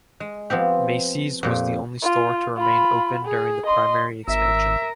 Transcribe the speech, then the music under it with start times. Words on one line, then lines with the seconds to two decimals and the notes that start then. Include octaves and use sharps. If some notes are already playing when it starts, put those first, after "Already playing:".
Macy's was the only store to remain open during the primary expansion.
0.20 G#3
0.50 F3 B3 C4 G4
1.43 F2 A#2 G4
2.02 F4
2.57 F4 B5
3.25 G#4
3.67 D#5 C6
4.28 G#1 A#4 E5 E6